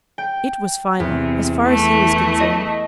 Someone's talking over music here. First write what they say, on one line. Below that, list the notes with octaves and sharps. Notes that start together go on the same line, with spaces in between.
It was final, as far as he was concerned.
G5
E2 C3
E3 A3
D#5